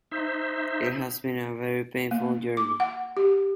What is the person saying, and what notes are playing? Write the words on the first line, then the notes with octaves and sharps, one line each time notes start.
It has been a very painful journey.
D#4 C5 E5
A#3
D6
F#5
G4